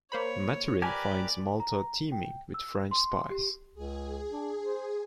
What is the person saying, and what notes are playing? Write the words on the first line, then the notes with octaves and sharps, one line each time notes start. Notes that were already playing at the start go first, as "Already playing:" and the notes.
Maturin finds Malta teeming with French spies.
A#3 C5 C#5 B5
G4 A#4 B4 D5 G#5
A#5
G5
E6
C6
G4
C#2 G#4
D4
C5